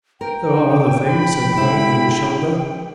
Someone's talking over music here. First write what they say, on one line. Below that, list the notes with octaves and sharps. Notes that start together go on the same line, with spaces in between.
"There are other things," said Blood over his shoulder.
A#4 G5
B5
D3 G#3 E4